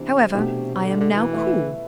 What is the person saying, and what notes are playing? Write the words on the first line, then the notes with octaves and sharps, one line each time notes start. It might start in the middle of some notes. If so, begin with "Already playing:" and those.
However, I am now cool.
Already playing: C3 E3 B3 D4
B2 A3 D4 G4
C3
D3
D3
E3
A3 E4 B4 E5